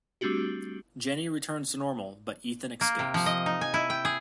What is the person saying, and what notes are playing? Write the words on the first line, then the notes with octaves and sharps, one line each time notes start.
Jenny returns to normal, but Ethan escapes.
G3 A3 C4 D4 F#4 G4
A#3
C3
F3
D#5
D#4
G#5
E4
G5
G#4